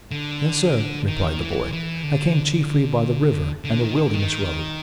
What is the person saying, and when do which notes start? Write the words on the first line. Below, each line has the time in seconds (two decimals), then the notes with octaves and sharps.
"Yes, sir," replied the boy, "I came chiefly by the river and the Wilderness Road."
0.11 D3
1.07 D#3
1.39 E3
1.72 E3
2.03 D3
3.65 D3
3.80 D#3
3.97 D3
4.14 D#3